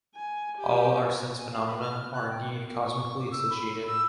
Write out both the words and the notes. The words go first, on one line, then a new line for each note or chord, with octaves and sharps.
All our sense-phenomena are indeed cosmically associated.
G#5
G4
G#5
F5
B5
F6
F#6
G5
A#4
C#6
D6
E6
B5
E6